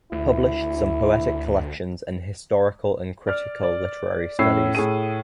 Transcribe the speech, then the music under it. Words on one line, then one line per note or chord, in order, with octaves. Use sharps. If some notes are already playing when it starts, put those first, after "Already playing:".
Published some poetic collections and historical and critical literary studies.
D2 E4
D5 F6
D5
A2 C#4 E4 E6 C7
A2 G#4 D#7